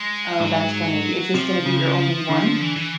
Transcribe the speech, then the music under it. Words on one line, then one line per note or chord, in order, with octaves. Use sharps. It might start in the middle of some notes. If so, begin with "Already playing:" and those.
Oh, that's funny. Is this gonna be your only one?
Already playing: G#3
G#2 F#3
C3 F3
C#3
D3
E3
E3